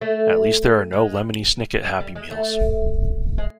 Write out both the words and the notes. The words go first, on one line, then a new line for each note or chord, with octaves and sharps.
At least there are no Lemony Snicket Happy Meals.
A3
G#3
G#3
G3
G#3
A3
G#3